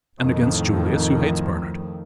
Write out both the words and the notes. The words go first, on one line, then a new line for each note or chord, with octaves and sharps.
And against Julius, who hates Bernard.
F2 A2 D#3 F3